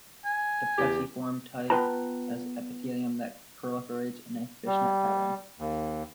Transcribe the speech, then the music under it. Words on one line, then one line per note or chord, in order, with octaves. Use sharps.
The plexiform type has epithelium that proliferates in a "Fish Net Pattern".
G#5
E2 G4
B3 F4 B4 G5 A5 A#5
G3
D#2